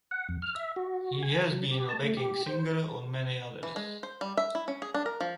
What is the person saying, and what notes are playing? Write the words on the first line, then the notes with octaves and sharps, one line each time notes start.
He has been a backing singer on many others.
F#5
F2
F6
E5
F#4
G#5
F#3
G4
A5
A3
G4
C5
E3
G#3
C5
G3
E5
E4
C#4
G#4
D4
A#4
F3